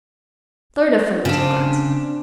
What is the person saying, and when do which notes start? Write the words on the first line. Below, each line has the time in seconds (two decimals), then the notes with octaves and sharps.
Third affirmative grunt.
1.25 C#3 C4 D4